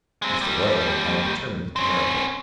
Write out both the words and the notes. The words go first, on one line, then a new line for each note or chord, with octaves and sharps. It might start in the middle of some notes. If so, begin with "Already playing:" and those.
Mr. Roylake, I am determined to marry her.
G#3 C4
D#2 G3
C4 C#4